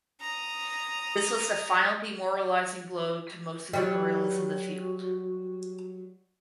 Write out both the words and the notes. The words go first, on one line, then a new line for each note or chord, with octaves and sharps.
This was the final demoralizing blow to most of the guerrillas in the field.
A#5 D#6
F#3 G3